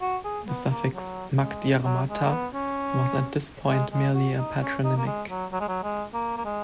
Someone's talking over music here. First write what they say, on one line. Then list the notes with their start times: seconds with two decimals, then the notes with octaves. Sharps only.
The suffix "mac Diarmata" was at this point merely a Patronymic.
0.01 F#4
0.24 G#4
0.48 B3
0.70 A#3
0.94 F#3
1.39 G#3
1.85 F#3
2.09 G#3
2.26 A#3
2.31 B3
2.54 C#4
3.69 G#3
3.92 G#3
4.15 F#4
4.37 D#4
4.61 C#4
4.84 D#4
4.97 A#3
5.06 G#3
5.29 F#3
5.52 F#3
5.60 G#3
5.68 F#3
5.83 G#3
6.13 A#3
6.37 A#3
6.45 G#3